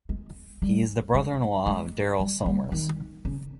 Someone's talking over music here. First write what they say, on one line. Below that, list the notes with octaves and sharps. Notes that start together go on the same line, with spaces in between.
He is the brother-in-law of Daryl Somers.
G#3
G3
G#3
G#3
G3
G3
D#3
C#3